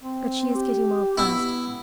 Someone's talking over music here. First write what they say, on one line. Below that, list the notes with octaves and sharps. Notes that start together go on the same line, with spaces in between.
But she is getting well fast.
C4
G4
B3 E4